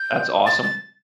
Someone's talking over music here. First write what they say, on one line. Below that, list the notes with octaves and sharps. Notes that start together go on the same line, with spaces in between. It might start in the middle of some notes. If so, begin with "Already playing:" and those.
That's awesome.
Already playing: G6
A6
A6